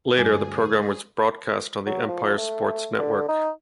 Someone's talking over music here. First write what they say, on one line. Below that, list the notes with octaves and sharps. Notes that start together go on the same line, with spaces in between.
Later the program was broadcast on the Empire Sports Network.
D2 G2 G#4 D5 G#5
F#3
F3
A3
D3
D#4